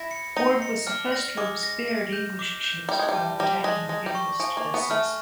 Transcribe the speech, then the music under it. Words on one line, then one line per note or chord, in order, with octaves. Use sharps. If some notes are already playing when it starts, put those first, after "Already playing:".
Ward was supposed to have spared English ships while attacking "papist" vessels.
Already playing: E4 A#6
C#7
D#4 A#6
C#7
D4 F6
A#6
G#3 D6
A#6
A#6
G6
D6
G6
G3 D6
G#3
G3
A5
G3 A#6
G#3 A#6
G#3 A#6
G3
C#6
F3 G#5
A#3
C#6
B3
A3 F6